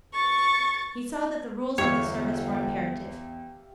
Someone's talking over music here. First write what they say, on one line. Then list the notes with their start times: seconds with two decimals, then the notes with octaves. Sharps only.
He saw that the rules of the service were imperative.
0.13 C#6 A6
1.78 G1 E2 G4 C#5 E5 F5